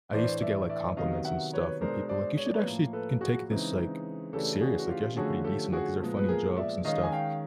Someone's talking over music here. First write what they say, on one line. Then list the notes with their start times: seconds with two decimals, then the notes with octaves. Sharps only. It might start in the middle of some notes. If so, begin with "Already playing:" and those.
I used to get, like, compliments and stuff from people, like, "You should actually can take this, like, serious, like, you're actually pretty decent, like, these are funny jokes and stuff,"
0.13 A2 E3 A3 D4 C5 D5
0.41 D5 E5
0.69 D5 E5
0.97 C3 D#3 F#3 B3 D#5 F5
1.25 E5 F#5
1.53 B4 C#5
1.81 B2 G#3 B3 D4 A#4 C5
2.09 C5 D5
2.37 C#5
2.46 D5
2.54 B4 C#5
2.65 A2 F3 A#3
2.93 A4 B4
3.21 F#4 G#4
3.49 C#3 E3 G#3 C4 D#4
4.33 C#3 E3 A3 D4 G4 A4
4.61 F#4 G#4
4.79 F#4
4.89 F4 G4
5.16 D3 F3 A3 C#4 F#4 G#4
5.44 G4 A4
5.73 F#4 G#4
6.00 A#2 F3 G#3 B3
6.17 B4
6.29 G#4 A#4
6.57 D5 E5
6.84 D#3 G#3 C#4 D#5 F5
7.03 G#5
7.12 F5 G5